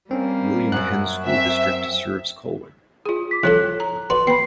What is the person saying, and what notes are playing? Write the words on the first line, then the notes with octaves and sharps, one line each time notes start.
William Penn School District serves Colwyn.
G3 A#3 C4 C#4
F#2 F#3 F#6
C4 E5
F4 G#4
D6 B6
C2 F3 F4 A4 C#5 F#6
A#5
F#4 B4 D5 C6
B3 G5 B5 C7